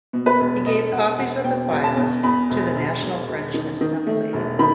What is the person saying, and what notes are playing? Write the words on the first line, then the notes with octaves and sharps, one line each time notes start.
He gave copies of the files to the National French Assembly.
B2
B4
E1
E1 D#5
E1 F#5
E1 F#5
B2 G5
E1
A5
E2
E2 B5
E1
E1
E1
E1
D#3
D#3
A3
E1
D#3 B5